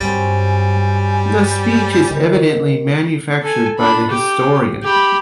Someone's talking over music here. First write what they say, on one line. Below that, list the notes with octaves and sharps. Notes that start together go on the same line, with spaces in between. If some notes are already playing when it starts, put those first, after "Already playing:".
The speech is evidently manufactured by the historian.
G2 F#3 G3 C4 G#5
D3 D#3
A4 G#5
D4 B5
G4
G4 B5